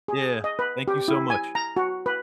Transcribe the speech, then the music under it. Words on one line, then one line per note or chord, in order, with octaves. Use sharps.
Yeah. Thank you so much.
G#4
D#5
B4
G4
E4
G#5
A#5
F#4
B4